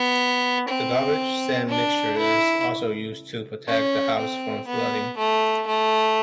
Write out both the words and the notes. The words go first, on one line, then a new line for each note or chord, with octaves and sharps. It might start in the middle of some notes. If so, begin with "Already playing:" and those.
The garbage-sand mixture is also used to protect the house from flooding.
Already playing: B3
C4
D4
E4
C#4
C4
B3
A3
A3